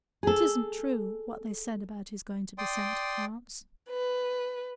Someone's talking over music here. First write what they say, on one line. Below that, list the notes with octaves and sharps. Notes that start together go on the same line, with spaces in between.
It isn't true, what they said about his going to be sent to France.
G#4 A4
D5 G5 C6 D#6
B4